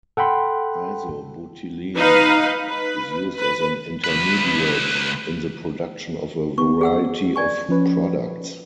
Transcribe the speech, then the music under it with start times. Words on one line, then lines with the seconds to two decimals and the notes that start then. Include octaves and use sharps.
Isobutylene is used as an intermediate in the production of a variety of products.
0.17 A4 F#5 G5 B5 C6
1.98 D#4 B4 F5
2.67 B4
3.38 B4
4.04 C#2 B4
6.58 B3 C#6
6.81 G#4 F#5 E6
7.36 D5 G#5 C#6
7.69 F3 C#4 B4